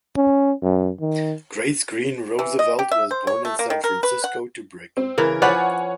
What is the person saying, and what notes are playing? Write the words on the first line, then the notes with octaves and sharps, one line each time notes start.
Grace Green Roosevelt was born in San Francisco to Brig.
C#4
F#2
D#3
E3
D#5
G4
E5
C5
C#5
A3
A#3
D#3
A#4
B4
F#5
C4
C#3 E3 A#4
F3 B4 C#5 D5 F#5 G#5